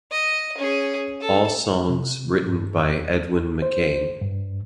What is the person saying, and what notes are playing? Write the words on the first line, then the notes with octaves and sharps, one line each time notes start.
All songs written by Edwin McCain.
D#5
C#4 G#4
A4
C3
G2
E2
C5
G2